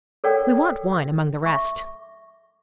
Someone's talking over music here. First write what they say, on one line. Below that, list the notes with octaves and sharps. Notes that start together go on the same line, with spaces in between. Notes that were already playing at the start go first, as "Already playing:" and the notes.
We want wine, among the rest.
A4 A#4 C#5 D5 F#5 G5
E5 C#6